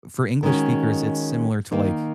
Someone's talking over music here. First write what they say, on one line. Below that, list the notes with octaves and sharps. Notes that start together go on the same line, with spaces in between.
for English speakers, it's similar to, like,
D#3 G#3 C#4 F#4
D#3 A#3 D#4